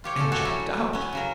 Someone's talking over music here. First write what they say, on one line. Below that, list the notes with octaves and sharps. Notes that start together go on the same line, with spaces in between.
And jumped out.
F4 G4 C#5
C#4 A4
F#4 G4 A4 C#5
F#3 C#4 E4
B3 C#4
C#3 F#3 A#4